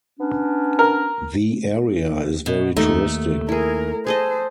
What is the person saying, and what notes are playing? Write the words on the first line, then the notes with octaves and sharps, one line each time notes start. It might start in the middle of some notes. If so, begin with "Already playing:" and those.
The area is very touristic.
B3 C#4 D4
A#4
B2
D#2 A3 D#4
E4 G#4 A#4
G#4 A4 C5 D#5